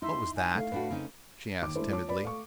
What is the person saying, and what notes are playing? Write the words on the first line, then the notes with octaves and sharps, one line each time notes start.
"What was that?" she asked timidly.
D#4 E4 E5 C6
G#5
A3 F5
A2 D4 F#4 B4
C#3 C4 D#4
D#2 D6
G#3 A3 D4 E4 C5
F4 C#5 A5 D6
A#4 B4 D5 B5
A3 F5 C#6